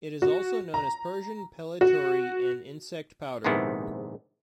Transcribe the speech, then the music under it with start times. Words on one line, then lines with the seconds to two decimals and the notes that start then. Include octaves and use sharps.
It is also known as Persian pellitory and insect powder.
0.22 F#4
0.74 A#5
1.81 F#4
3.44 A#1 G#2 C3 D#3 B3 E4